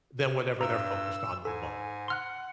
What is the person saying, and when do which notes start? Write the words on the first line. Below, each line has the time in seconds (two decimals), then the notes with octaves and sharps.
than whatever they're focused on in the moment.
0.61 G2 A#5 E6
1.45 G#2 A4 G#5
2.08 F#5 C6 F6 F#6